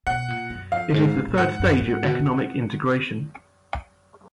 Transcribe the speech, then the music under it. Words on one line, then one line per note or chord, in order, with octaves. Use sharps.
It is the third stage of economic integration.
B2 F#5
A#2
F#2
F2 F5
G#2
A#2
A#2
G#2 F#5
F#2
G#2
B2
B2